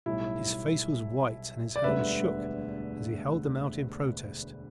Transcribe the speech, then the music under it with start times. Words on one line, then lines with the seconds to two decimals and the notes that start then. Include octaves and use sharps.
His face was white and his hands shook as he held them out in protest.
0.06 B1 A2 G3 E4
1.76 D5
1.84 E1 D2 D3 G3 B4 E5